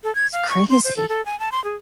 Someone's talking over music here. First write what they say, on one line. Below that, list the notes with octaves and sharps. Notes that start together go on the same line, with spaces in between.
it's crazy.
A4
G#6
F5
C#6
C6
C5
A4
A4
G#5
A5
C6
G#4